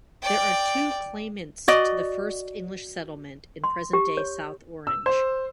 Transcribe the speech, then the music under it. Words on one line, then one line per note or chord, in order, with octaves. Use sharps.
There are two claimants to the first English settlement in present-day South Orange.
D5 G5
F#4 D5 D#5
C6
G4
C#5
E6
C5